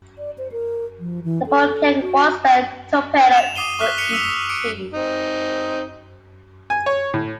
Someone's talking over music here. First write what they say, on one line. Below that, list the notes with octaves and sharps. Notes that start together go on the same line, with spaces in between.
The boat carried one spare torpedo for each tube.
D5
C5
A#4
F3
E3
A4
F#4
E7 F7
D6 D#6 C7 D#7 G7
C#6 D6 F6 F#6 B6 G7
B6 C#7 D#7 F7 G7
E6 B6 F7
D6 C#7 D7
C4 D#4
G#5
C#5
A2